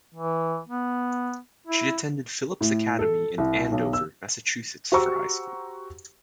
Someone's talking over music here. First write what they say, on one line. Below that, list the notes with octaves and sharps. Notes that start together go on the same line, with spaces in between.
She attended Phillips Academy in Andover, Massachusetts for high school.
E3
B3
E4
A2
A4
C2
B1
E6
F#4 G4 C5 A#5 C#6 E6